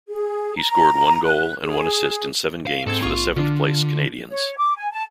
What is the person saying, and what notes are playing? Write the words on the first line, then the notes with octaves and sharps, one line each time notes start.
He scored one goal and one assist in seven games for the seventh-place Canadians.
G#4
A#5
F#6
G#4
F5
G#2 C4 A4 G#6
A#1 F4 C#6
D3 D4 F4
C#5
D6
G#5
A5